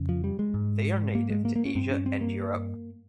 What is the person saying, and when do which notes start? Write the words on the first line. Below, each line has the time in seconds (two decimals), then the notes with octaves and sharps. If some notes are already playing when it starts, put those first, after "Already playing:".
They are native to Asia and Europe.
Already playing: F2 C#3
0.09 F3
0.24 G3
0.39 G#3
0.54 G#2
1.15 A#3
1.30 G#3
1.45 A#3
1.56 A#3
1.65 C#4
1.75 G2 C4
1.91 C#4
2.06 C4
2.21 A#3